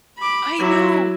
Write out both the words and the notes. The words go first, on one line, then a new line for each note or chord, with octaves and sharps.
I know.
B5 D6
F#3 E4